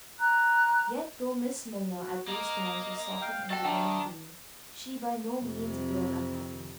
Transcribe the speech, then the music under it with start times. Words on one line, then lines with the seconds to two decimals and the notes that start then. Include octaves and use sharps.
Yet though Miss Milner at those times was softened into melancholy, she by no means appeared unhappy.
0.18 A#5 F#6
1.98 F#4
2.27 A#3 A#4 D#5
3.21 F5 G5
3.50 F#4 A4 D#5 G5
3.65 D#3 D4 E5 G5
5.42 F2 C3